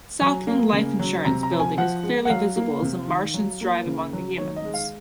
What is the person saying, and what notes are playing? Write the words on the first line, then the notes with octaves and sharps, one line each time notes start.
Southland Life Insurance Building is clearly visible as the Martians drive among the humans.
F#3 G#5
A#3
C#3
F#3
C3 A#5
A#5
F3
G#5
F3 F#5
G#3
F#5
F#3 F5
A#3
C3
D#3
F#3
A#3
C#3
F#3
D#3 C#5
D#5
G#3
F5